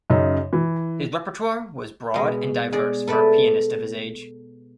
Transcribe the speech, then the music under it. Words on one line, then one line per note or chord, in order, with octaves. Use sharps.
His repertoire was broad and diverse for a pianist of his age.
F#2 C#3 D#4
E3
B2 G#3
G#3 G#4 D5
A4 B4 D5 E5